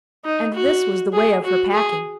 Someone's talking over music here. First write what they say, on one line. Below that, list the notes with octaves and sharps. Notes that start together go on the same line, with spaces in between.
And this was the way of her packing.
D#4
F#4
G#4
F#4
G#4